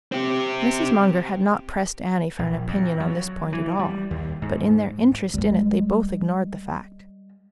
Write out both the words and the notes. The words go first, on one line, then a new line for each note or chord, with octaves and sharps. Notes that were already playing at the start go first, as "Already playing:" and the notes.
Mrs. Munger had not pressed Annie for an opinion on this point at all; but in their interest in it they both ignored the fact.
C4 G4
A#1
F2
F#3
E3
G3
D#2
G#2
G3 G#3